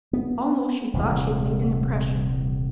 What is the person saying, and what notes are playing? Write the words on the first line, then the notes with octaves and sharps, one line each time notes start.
Almost she thought she had made an impression.
B3
D#1 C2 E3